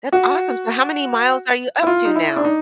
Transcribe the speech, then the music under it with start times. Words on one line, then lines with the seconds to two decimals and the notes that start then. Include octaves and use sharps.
That's awesome. So how many miles are you up to now?
0.12 F#4
1.82 E4
1.87 F4
2.05 D#4
2.15 E4
2.36 D4
2.44 D#4